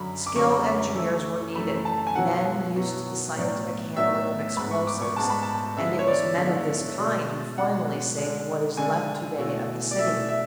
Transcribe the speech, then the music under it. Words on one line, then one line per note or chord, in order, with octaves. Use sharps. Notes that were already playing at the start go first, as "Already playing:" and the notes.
Skilled engineers were needed, men used to the scientific handling of explosives, and it was men of this kind who finally saved what is left to-day of the city.
Already playing: F#2 D3 F#3 C#4 B5
D6
F#2 D3 F#3 C#4 C#6
F#2 E3 A3 E4
F#2 E3 A3 E4 B5
A5
G#5
B2 F#3 B3 E4 F#5
B2 F#3 B3 E4
A2 F#3 B3 D4
A2 F#3 B3 D4 E5
G#2 G#3 B3 B5
C#6
D6
C#6
G#2 G#3 B3 A5
B5
A5
D3 G#3 B3 E4 E5
C#5
D5
D3 G#3 B3 E4
B2 G#3 D4
B2 G#3 D4 F#5
D3 G#3 D4
D3 G#3 D4 G#5
B2 A3 E4
D5
B2 A3 E4 E5
E5